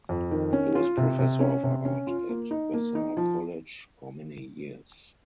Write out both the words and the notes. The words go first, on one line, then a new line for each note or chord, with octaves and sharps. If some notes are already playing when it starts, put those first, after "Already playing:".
He was professor of art at Vassar College for many years.
F2
D#3
C#4
F4
C3
C3
C#4
C3
C#4
F4
A#3
D#4
A#3
D#4
F3